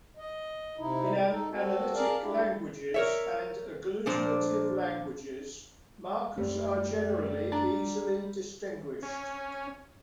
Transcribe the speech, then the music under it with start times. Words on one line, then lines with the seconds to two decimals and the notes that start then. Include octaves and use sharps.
In analytic languages and agglutinative languages, markers are generally easily distinguished.
0.17 D#5
0.78 C3 D#4 E4
1.30 D#4 A4
1.50 C4 F#4 A4
1.94 G#4 A#4 D5 F5 A5
2.21 D4 E4 G4
2.94 A#4 C#5 E5
4.06 A#2 F3 D4 C5
6.38 F#2 G3 A3 G4
7.52 D4 A5 A#5
9.03 C#4